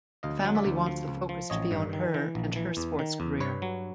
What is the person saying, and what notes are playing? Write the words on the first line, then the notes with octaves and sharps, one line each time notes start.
The family wants the focus to be on her and her sports career.
D2 D#5 F5
F#3
D5 E5
D2
F3
C#2
F3
A1 C#5 D#5
G2
D#3
E3
A#1
E3
E2
D#3
E2
G2 B4 C#5
F#3